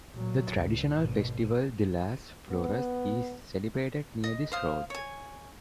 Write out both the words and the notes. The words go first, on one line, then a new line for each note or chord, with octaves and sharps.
The traditional "Festival de las Flores" is celebrated near this road.
A#2 F#3
C#2
G#1 B2
B3
D#5
C5 F5 D#6
C#5 G#5